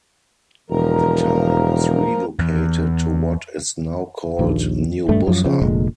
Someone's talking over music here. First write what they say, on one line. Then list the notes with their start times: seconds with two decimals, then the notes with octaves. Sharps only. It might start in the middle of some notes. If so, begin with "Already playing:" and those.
The town was re-located to what is now called New Bussa.
0.70 E1 F3 A#4 A#5
2.39 E2
4.39 A#1 D#2
5.09 D#1 G2 A3
5.27 F#2 F3 F#3
5.45 C#3 F3
5.62 F1 A#2 D3 G#3